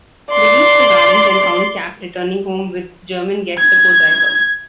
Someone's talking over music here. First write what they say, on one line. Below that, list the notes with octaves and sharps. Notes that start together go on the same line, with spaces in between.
They reached the gardens and found Kapp returning home with a German Gestapo driver.
D5 C6
G#6